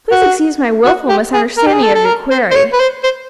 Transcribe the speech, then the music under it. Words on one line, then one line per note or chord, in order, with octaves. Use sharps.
Please excuse my wilful misunderstanding of your query.
F#4
F#4
G4
G#4
A#4
G4
G#4
A4
A4
A#4
C5
C5
C#5
B4
C5
C5